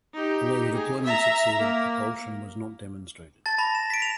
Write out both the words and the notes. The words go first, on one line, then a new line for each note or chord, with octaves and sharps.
Although the deployment succeeded, propulsion was not demonstrated.
D#4 G4
G#4
E5 A#5
A#3
A5 A6
A5 B5 A#6
E7
B6 D7
F7